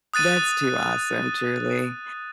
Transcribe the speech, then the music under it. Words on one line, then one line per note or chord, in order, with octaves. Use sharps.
That's too awesome, truly.
D#6 F#6 A6 D#7